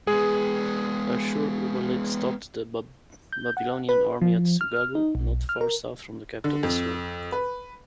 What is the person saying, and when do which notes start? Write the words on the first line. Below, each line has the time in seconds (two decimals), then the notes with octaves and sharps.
Ashur-uballit stopped the Babylonian army at Sugagu, not far south from the capital Assur.
0.07 G#3 B3 G#4
3.33 G6
3.57 F#5
3.89 B4
4.22 F3
4.61 F6
4.95 D#4
5.15 B1
5.49 F6
5.61 A#4
6.44 D3
6.63 F2
7.32 B4